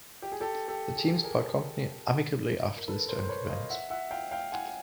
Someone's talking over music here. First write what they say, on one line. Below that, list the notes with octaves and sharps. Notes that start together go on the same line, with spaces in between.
The teams part company amicably after this turn of events.
G4
G#4
G4 A4
G4 A4
G#4
G#4 A#4
A#4
A4 B4
A#4 C5
C5
B4 C#5
D#5 F5
E5 F#5
E5 F#5
F5 G5
F5 G5
F#5 G#5